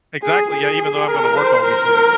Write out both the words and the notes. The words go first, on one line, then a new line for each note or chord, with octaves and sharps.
Exactly. Yeah, even though I'm gonna work all weekend.
G#4
G#4
A#4
C5
A#4